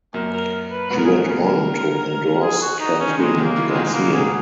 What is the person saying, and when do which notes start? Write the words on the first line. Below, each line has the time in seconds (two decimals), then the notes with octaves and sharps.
She went on to endorse Kathryn Garcia.
0.14 F#2 A#2 A#4
0.33 A#4
0.71 B4
0.90 G#2 B2 B4
0.98 A#4
1.05 G#4
1.12 A#4
1.28 A#2 C#3
2.42 G#4
2.62 F#4
2.80 D#4
3.00 C#4
3.08 D#3
3.18 A#2 C#3 G#3
3.37 D#3 F#3
3.44 A#3
3.56 C#3 E3
3.69 G#3
3.75 B2 D#3
3.84 G#3
3.94 A#2 C#3 A#3
4.12 G#2 B2 G#4